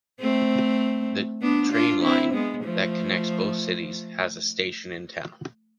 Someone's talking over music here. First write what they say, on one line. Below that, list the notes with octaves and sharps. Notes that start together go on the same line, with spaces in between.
The trainline that connects both cities has a station in town.
A3 C4
B3 D4
D4 F4
C4 E4
G#3 B3
F3 A3